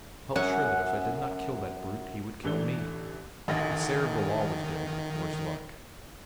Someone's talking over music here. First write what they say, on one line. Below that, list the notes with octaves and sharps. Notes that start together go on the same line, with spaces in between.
I felt sure that if I did not kill that brute, he would kill me. The Sayer of the Law was dead: worse luck.
F#2 C#4 F#5
A1 D3 E3 D4 A4 G7
A1 D2 D#3 A#6